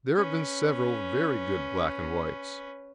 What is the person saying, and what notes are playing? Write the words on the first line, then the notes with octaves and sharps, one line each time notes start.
There have been several very good black and whites.
C#4 B4